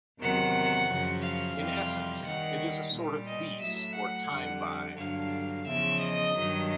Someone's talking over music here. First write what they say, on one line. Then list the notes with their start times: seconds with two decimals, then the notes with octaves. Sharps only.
In essence, it is a sort of lease or time-buy.
0.20 E2 C3 D#3 F#3 F#5
0.89 F#2 C#3 F3
1.22 F5
1.57 F2 C3 E3 G3
2.24 D#2 D#3 G3 F#5
2.93 A#2 G3
3.27 D#5
3.61 A2 F#3 E5
3.95 F#5
4.29 F2 D3 G3
4.97 G2 D3 F#3 F5
5.66 E2 C#3 F3 E5
6.00 D#5
6.35 G2 D#3 F#3